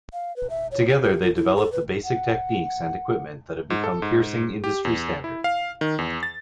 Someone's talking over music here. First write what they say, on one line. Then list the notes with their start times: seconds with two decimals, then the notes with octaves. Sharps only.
Together they developed the basic techniques and equipment that have become piercing industry standard.
0.13 F5
0.36 B4
0.50 E5
0.71 C#5
0.89 G4
1.03 G4
1.22 F4
1.36 E4
1.57 A4
1.72 B4
2.04 F#5
3.70 G#2
3.84 A4
4.02 G#2
4.64 G4
4.85 E2
5.24 E4
5.44 F5
5.81 D#3
5.99 E2
6.23 A6